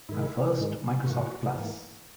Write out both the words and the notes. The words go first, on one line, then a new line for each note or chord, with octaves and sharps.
The first Microsoft Plus!
G#2 D#3 G#3 E4
G#2 D#3 G#3
E4
G#2 E3 A#3 F#4
G#2 E3 A#3